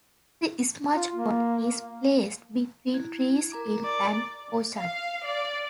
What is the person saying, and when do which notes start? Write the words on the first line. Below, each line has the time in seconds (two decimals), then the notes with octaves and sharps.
The smudge pot is placed between trees in an orchard.
0.94 F4
1.15 A#3
2.93 E4 G#6
3.52 A#4 A#5 D6
3.84 D5
4.77 F5
5.25 D5